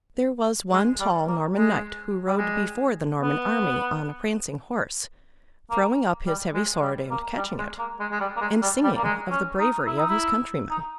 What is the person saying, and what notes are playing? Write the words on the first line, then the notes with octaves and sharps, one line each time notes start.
There was one tall Norman Knight who rode before the Norman army on a prancing horse, throwing up his heavy sword and catching it, and singing of the bravery of his countrymen.
G#3
G3
A#3
G#3
G3
G#3
B3
A#3
G3
G#3
G3
A#3
G3
G#3
A#3
G#3
G#3
G3
A#3
G#3
G3
G3
A#3
G#3
C#4
D#4
E4
D#4
E4
D#4